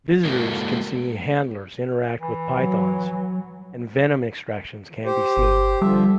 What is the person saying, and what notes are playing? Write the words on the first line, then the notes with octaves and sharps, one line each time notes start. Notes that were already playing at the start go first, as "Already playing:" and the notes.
Visitors can see handlers interact with pythons, and venom extractions can be seen.
G#3 A#3 E4 F#4 A4 A#4
E3
F#3
G4 C5
G1
D3 F3 G3 E5